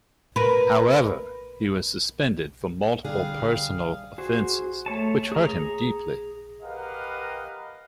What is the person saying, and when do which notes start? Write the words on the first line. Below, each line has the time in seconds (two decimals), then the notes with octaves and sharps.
However, he was suspended for multiple personal offenses, which hurt him deeply.
0.36 A#4 B4
3.05 D3 G3 D4 G#4 F5
4.18 F#4 G#4 C5
4.86 A3 C#5 A5
5.32 G#4 A#5
6.63 G4 A#4 B4 D#5 F5 F#5